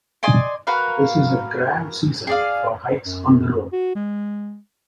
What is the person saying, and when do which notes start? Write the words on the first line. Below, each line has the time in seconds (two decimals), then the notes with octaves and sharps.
This is a grand season for hikes on the road.
0.23 D5 D#5 G#5 C6
0.67 F#4 A#4 B4 F5
2.27 G#4 D5 F5
3.06 F#2
3.73 F#4
3.96 G#3